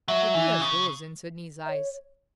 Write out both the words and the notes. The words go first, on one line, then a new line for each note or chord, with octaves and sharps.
The tears rose in Sydney's eyes.
F#3 E5
E3
C#3
E5
C#5